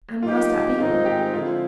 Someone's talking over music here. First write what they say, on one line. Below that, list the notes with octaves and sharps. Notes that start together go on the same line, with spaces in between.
"And must that be all?"
F#3 A#3 D#4 F4 G4
G#2 D#3 G#3 C4 D#4 F4
G4
D3 F3 G#3 C4 E4 F4